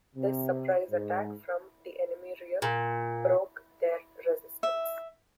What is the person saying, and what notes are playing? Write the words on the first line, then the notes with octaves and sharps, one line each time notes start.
This surprise attack from the enemy rear broke their resistance.
C3
G#2
A#2
E5